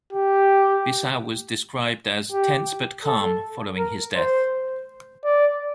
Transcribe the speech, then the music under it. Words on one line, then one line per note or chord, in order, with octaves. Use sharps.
Bissau was described as "tense but calm" following his death.
G4
G4
A4
A#4
C5
D5